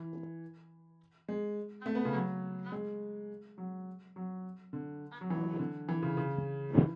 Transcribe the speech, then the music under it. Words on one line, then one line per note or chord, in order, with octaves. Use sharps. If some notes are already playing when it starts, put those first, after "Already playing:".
It was named after Viau bridge, which links it to Ahuntsic-Cartierville in Montreal, Quebec.
Already playing: E3
G#3
A3
B3
C#3
F#3
G#3
F#3
F#3
D3
F#3
E3
D3
E3
C#3
C#3
E3